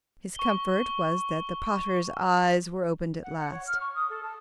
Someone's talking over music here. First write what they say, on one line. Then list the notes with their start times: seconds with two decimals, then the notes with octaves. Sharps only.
His comfort was that the pater's eyes were opened at last.
0.35 C#6 G7
3.23 F#5
3.37 F#5
3.51 C#5
3.66 F6
3.80 C#6
3.94 D#6
4.09 A4
4.22 A5